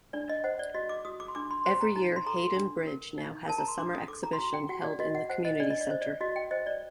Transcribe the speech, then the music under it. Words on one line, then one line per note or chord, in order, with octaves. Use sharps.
Every year Haydon Bridge now has a Summer Exhibition held in the community centre.
D4 D5
D#5
C5 F#5
D5
F#4 D#5
D6
F#4 D#6
D6
C6
D4 D6
C6
C5 C6
A#5
D#4 A#5
C6
A4 A#5
C6
D4
A#4
D#4
A#4 A5
A#5
C6
D4 D6
D#6
A4 D6
A#5
C6
F#4 A#5
G5
F#4 F#5
D5
F#4 D#5
F#5
C5 F#5
D#5
D4 D5
D#5
D5
C5 D#5
D5
F#4 D#5
G5
C5 D#5
D5